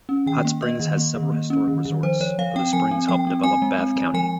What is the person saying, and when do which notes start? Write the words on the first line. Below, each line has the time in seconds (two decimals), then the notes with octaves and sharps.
Hot Springs has several historic resorts, for the springs helped develop Bath County.
0.09 C#4
0.27 D#3 G5
0.45 A#3
0.62 A#3 D#5
0.80 D#3
0.97 A#3
1.15 D#3
1.32 A#3
1.50 C#4
1.68 D#3
1.85 D#3
2.03 F3 C5
2.20 F3 C#5
2.38 F3 F5
2.56 C4 G5
2.73 F3 G#5
2.91 C4
3.08 F3 G5
3.27 C4
3.43 C4 G#5
3.62 G#3
3.79 C4
3.96 G#3
4.14 F3 G#5